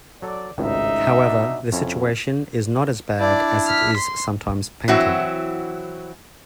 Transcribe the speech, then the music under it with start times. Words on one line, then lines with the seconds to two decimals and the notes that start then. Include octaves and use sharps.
However, the situation is not as bad as it is sometimes painted.
0.22 F#3 A4 D5
0.58 G#1 C#2 A2 D#4 E5
1.25 B2 D4
1.73 F2 C#4 E4
3.20 D4 E4 D5
3.67 F6 B6
3.97 C6
4.88 E3 F#3 C4 E4 F#4